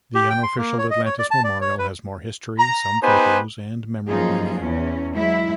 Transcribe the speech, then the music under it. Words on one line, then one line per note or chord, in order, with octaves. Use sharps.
The Unofficial Atlantis Memorial has more history, some photos, and memorabilia.
G4
G5
C6
A#3
C#5
D#5
C#5
D5
A5
D5
C#5
B4
A#5
B3 D#4 G4 B4 C5 G#5
F#2 F3 A#3 D#4 F4 G#4
E2 C#4
F#3 G#3 E4 E5